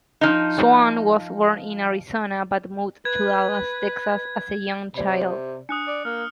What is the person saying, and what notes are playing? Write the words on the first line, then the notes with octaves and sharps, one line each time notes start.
Swann was born in Arizona but moved to Dallas, Texas, as a young child.
F3 D#4
B4 G#6
C3 D5 B5
D4 D#6 F#6 C#7
D5
A#3 F6